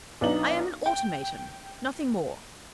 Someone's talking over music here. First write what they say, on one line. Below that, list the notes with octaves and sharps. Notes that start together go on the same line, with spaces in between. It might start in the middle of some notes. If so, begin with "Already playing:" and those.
'I am an automaton--nothing more.
B1 B3 D4 D#4 F#7
G5